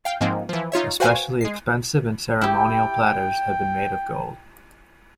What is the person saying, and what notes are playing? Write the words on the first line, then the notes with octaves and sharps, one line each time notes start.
Especially expensive and ceremonial platters have been made of gold.
F5 G5
G#2 F3 G#3 A#3 C4
E3 F3
D#4 F4 C#5 E5
F#4 B4 C5 F5 G5 G#5
G#3 C7
E4 G4 G5